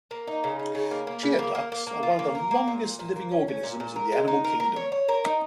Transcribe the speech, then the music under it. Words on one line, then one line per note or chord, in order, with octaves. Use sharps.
Geoducks are one of the longest-living organisms in the animal kingdom.
A#3
D#4
C#3
D#4
C#3
A#3
A#3
C#3
A#3
A#3
A#3
A#3
F4
A#3
A#4
A#3
A#2
A#2
A#2
A#3
C#4
C#4
A#2
A#2
A#4
G#3
D#4
A#4
A#4
C#5
C#5
A#4
D#4